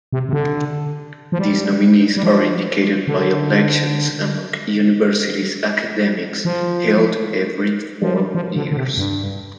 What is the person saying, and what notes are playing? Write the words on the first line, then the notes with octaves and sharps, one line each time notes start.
These nominees are indicated by elections among university's academics held every four years.
C3
C3
D3
F3
G3
G3
F3
D3
F3
F3
G3
F3
D3
D3
C3
G2